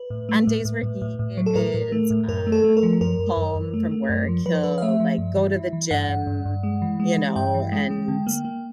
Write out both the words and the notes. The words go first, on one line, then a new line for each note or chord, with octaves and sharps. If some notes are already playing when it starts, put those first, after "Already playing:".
on days where he is, um home from work, he'll, like, go to the gym, you know, and
Already playing: B4
A2
A3
A2
A2
A2
A2
A2
F#3
A4
A2 A#4
A2
A3
A2
F#2 A#4
A3
A4
A3
A#4
F3
F#2 A#4
F#2
F#2
F#2
A3
A3
F#2
F3
F3 B4
C5
F3 B4
F5
A3 E5
F3
G2
E3
E3
E3
G2 F#5
G2
G2
G2
G#3
E3
G#3
E3
G2 G5
E3
G#3
G#3
D3
A#3
A#3